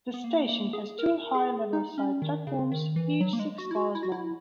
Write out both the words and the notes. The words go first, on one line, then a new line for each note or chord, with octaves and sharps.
This station has two high-level side platforms each six cars long.
B3
A#3
A#3
G#4
A#4
G#4
D#4
C#4
D#3
C#3
D#3
E3
F#3
A#3
G#3
F#4
E4
F#4
E4
F#4
E4